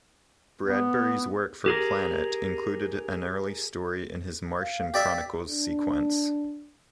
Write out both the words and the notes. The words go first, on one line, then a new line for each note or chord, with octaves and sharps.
Bradbury's work for "Planet" included an early story in his "Martian Chronicles" sequence.
B3
G4 G#4 A#4
F5
G4 D5 E5
D4